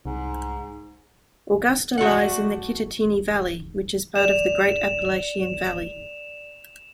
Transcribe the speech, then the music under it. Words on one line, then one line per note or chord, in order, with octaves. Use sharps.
Augusta lies in the Kittatinny Valley which is part of the Great Appalachian Valley.
C2 G#2
A3 F#4 D5 F#5
D5 E7 F7